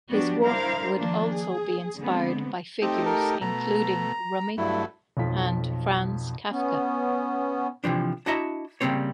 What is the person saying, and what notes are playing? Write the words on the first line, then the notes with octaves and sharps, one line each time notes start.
His work would also be inspired by figures including Rumi and Franz Kafka.
F3 F#3 B3 D4 F#4 G4
G3 D4 E4 A#4 C5 F5
D#3 F3 A#3 D4 F4
G#4
D3 G#3 B3 C4
A3 C4 D#4 G4
A4 A#4
B2 A3 A#5
G2 F#3 A3 E4
B1 F2 F4 B6
B3 C#4
C3 E3 F3 D4
D4 E4 F#4 D#5 E5 A#5
C#3 G3 A#3 C4 C#5